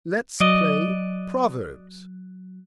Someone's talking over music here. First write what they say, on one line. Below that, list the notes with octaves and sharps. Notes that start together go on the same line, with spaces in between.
"Let's play proverbs."
F#3 D5 D#5